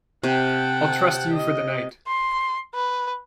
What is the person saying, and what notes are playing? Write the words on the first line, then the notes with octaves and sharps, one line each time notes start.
I’ll trust you for the night.
C3 F#5 G5 A5
D#5
C6
B4